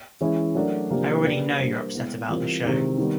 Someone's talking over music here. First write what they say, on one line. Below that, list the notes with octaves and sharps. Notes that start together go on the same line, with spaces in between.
I already know you’re upset about the show.
E3 G#3 C#4 E4 G#4
F#3 A3 D4 F#4 A#4
C3 F3 A#3 D4 G4
A#3 D4 G4 B4 D5
G3 A#3 D4 G4 C5
G#3 B3 E4
E3 G3 C4 F4 A#4
C3 D#3 G#3 C4 E4
D#3 G3 B3